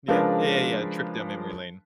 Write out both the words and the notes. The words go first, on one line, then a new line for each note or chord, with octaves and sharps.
Yeah, yeah, yeah, yeah, a trip down memory lane.
C#3 F3 G#3 D4 A#4 B4